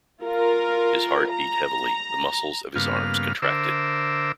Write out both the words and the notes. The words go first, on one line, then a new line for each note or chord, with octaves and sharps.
His heart beat heavily, the muscles of his arms contracted.
F4 A#4
A#5
G2 C#3 A#3 B3 F5 F6
D3 A#4 C5 E5 D6 E6